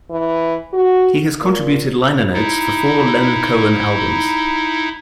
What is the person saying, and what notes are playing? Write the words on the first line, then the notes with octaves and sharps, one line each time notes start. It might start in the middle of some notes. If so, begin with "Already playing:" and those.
He has contributed liner-notes for four Leonard Cohen albums.
E3
F#4
A#2
D#4 E4